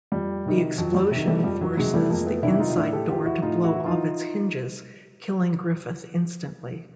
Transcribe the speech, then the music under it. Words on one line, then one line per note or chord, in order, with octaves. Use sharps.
The explosion forces the inside door to blow off its hinges, killing Griffith instantly.
F2 G3
C3 D#3
F2 F#3
G3
C3
D#3
G3 A3
F2 G3
F#3
C3 D#3 F#3 G#3
G3 A3
F2 G#3 A#3
A3 B3
C3 D#3 D4 E4
D#4 F4
A2 D4 E4
G4 A4
E3 F4 G4
E4 F#4
A2 D#4 F4
E4 F#4
E3
D#4 F4